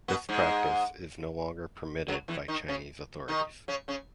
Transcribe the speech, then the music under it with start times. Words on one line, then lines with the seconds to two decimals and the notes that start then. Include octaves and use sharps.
This practice is no longer permitted by Chinese authorities.
0.08 B2 B3
0.29 G#2 G#3
2.08 F#2 F#3
2.28 E2 E3
2.48 D#3 D#4
2.68 C#3 C#4
3.28 D#3 D#4
3.68 C#3 C#4
3.88 C#3 C#4